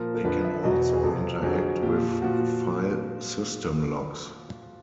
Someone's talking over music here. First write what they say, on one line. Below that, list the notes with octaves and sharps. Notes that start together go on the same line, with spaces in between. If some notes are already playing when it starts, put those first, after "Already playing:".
They can also interact with file system locks.
Already playing: A#2 F3 A#4
A#4
F2 D3 F3 B4
E5
E5
E2 B2 F#3 D#5
G#4
F2 C3 F3 A4
F2 D3 F#3 G#4
A#2 F3 G4
A#2 F3 F#4